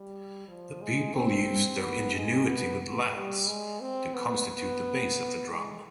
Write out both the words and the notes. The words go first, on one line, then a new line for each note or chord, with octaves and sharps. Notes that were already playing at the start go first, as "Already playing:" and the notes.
The people used their ingenuity with laths, to constitute the base of the drum.
Already playing: G3
F3
G#3
C4
B3
G#3
B3
B3
G3
G#3
C4
B3
B3
G#3